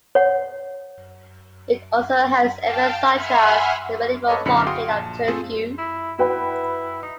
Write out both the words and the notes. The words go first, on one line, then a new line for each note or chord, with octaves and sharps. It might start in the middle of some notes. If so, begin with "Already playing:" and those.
It also hosts events such as the Medieval Market of Turku.
C#5 F#5
F5 G5 A5
E5 F#5 G#5 B5 C6 F6
A4 B4 C#5 D#5
B1 F#2 D3 E4 B5 C#7
F#4 G#4 F5 G5 C6 D#6
A#1 A5
A3 C4 F4 G#4 A4 C5
E4
E4 F#4 B4 G5
D#4